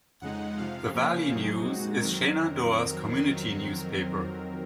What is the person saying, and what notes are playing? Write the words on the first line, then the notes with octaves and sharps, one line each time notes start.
The Valley News is Shenandoah's community newspaper.
F2 C#3 G#3 D#4 F#5
F2 C3 F3 F5
C#3 F3 A#3 C#4
F2 C3 F#3 C4 D#4 G#4
A#2 G#3 D#4 F#4
F2 D#3 F#3 C4 A#4